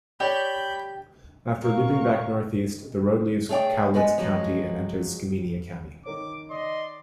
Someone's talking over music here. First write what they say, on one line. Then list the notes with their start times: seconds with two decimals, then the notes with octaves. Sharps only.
After looping back northeast, the road leaves Cowlitz County and enters Skamania County.
0.20 G4 C#5 D5 G5 B5 G6
1.61 A#2 A#4 F5 C#6
3.49 A3 G#4 A4 C#5 D5 G5
3.94 G#3 B3 D5 G#5
4.18 F3 F#3 G#3
6.06 D#3 A#4 C#5 D6
6.51 D5 D#5 C6